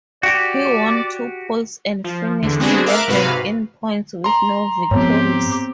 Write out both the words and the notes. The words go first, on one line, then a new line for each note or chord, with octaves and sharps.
He won two poles and finished eleventh in points with no victories.
F#4 G4 D5
F3
E2 D3
G#3 B3 C4 D4 F#4 G#4
A#4 E5 F5 D6 F#6
G#2 C3 F#4 B4 F5
A#5 C6
G#2 F3 B3 C4 G4 C#5